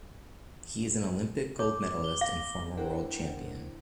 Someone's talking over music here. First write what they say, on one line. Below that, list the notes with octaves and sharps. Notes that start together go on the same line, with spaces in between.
He is an Olympic gold medalist and former world champion.
C#5 D6
G7
F5 A#6
D4 E4 A#4 C5 F#5 G5